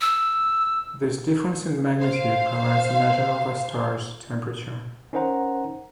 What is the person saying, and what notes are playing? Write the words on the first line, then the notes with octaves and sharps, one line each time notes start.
This difference in magnitude provides a measure of a star's temperature.
E6
C5 F5
C#4 D#4 A#4 C5 F#5 A#5